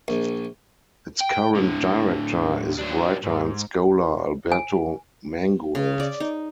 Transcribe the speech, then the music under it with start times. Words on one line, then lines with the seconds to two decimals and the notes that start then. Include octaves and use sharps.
Its current director is writer and scholar Alberto Manguel.
0.08 A#1
1.20 G5
1.55 A2 D3
2.79 F#3 D4
3.24 G#2
4.52 G#5
5.75 C#3
6.00 D5
6.20 D#4